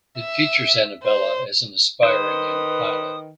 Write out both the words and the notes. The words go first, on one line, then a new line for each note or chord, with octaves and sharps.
If features Annabella as an aspiring young pilot.
E5
C5
D#3 B4 C5 D#6